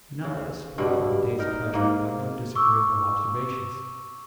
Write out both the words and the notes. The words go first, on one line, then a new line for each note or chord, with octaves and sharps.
Do not let us spoil our day's pleasure by no disagreeable observations.
C#3
G2 B2 G3
D#4 A#4
G#2 A#3
C#6 D6 E6